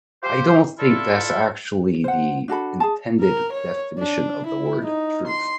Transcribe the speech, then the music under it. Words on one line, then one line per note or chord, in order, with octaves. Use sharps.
I don't think that's actually the intended definition of the word "truth."
F4 G4 C5
D4 E4 F4 A4
C5 F#5
D4 F#4 A4 B5
G#4 A5
A#4
C#5
D4
E4
D#4
C6